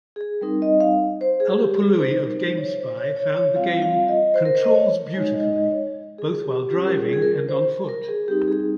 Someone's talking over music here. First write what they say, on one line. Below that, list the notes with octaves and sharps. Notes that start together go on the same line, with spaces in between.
Alupului of GameSpy found the game "controls beautifully", both while driving and on-foot.
G#4
G3 C4 D#4 A#4
D#5
F5
C5
G#4
G4
G#4
G3 C4 D#4 C5
A#4
C5
C#5
C5
C#5
C#5
C#5
G3 C4 F4 F5
F5
D#5
C5
A#4
C5
D#5
C#5
G#3 D#4 C#5
D#5
D#5
C#5
G#4
G4
G3 C#4 F4 G4
A#4
G#4
G#4
A#4
C5
A#4
G#4
G3 C4 D#4 G4
G#4